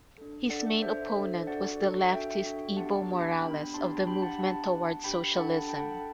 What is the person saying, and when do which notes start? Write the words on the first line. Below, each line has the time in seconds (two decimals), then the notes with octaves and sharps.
His main opponent was the leftist Evo Morales of the Movement Towards Socialism.
0.18 D4 A4
0.50 D4 A4 D5 F#5
0.82 D4 A4 C5 E5
1.15 D4 A4
1.47 D4 F#4 A4 D5 F#5
1.80 D4 F#4 A4
2.12 D4 F#4 A4 E5 G5
2.45 D4 F#4 A4
2.77 B3 D4 G4 F#5 A5
3.10 B3 D4 G4
3.42 B3 D4 G4 G5 B5
3.74 B3 D4 G4 A5 C6
4.07 D4 G4 G5 B5
4.22 F#5 A5
4.39 D4 G4 F#5 A5
4.71 D4 G4
5.04 D4 G4 G5 B5
5.36 D4 A4 F#5 A5
5.68 D4 G5 B5
5.72 A4 F#5 A5